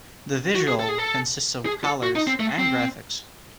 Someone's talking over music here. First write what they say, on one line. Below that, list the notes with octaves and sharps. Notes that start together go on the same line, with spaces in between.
The visual consists of colors and graphics.
F#4
G#4
A4
G#4
A4
G#4
A4
F#4
D#4
C4
A3
C4